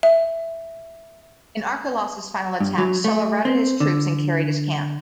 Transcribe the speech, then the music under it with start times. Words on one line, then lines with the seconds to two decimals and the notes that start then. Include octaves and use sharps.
In Archelaus' final attack, Sulla routed his troops and carried his camp.
0.03 E5
2.60 G2
2.78 F#3
3.04 A3
3.45 C4
3.80 D3